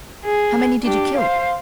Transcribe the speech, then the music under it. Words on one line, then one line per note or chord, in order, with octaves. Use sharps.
How many did you kill?'
G#4
D4 G4
C5 F5